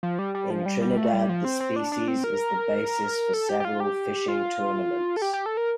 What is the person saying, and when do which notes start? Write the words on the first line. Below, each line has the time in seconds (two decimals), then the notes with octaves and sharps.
In Trinidad, the species is the basis for several fishing tournaments.
0.03 F3
0.19 G3
0.35 G3
0.50 F3
0.66 G3
0.81 G3
0.97 A3
1.13 G3
1.29 F3
1.45 C4
1.60 C4
1.76 D4
1.92 D4
2.08 C4
2.24 A#4
3.34 A4
3.49 G4
3.60 G4
3.65 F4
3.80 G4
4.28 F4
5.17 A4
5.22 G4
5.33 G4
5.46 A4
5.57 A#4